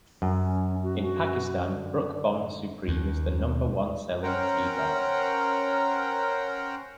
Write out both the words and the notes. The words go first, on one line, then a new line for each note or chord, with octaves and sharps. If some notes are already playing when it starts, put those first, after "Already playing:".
In Pakistan, Brooke Bond Supreme is the number-one-selling tea brand.
F#2 C#4
F#4
F#4
D3
D#2
C#4 A#4 C5 F#5 G5 A#5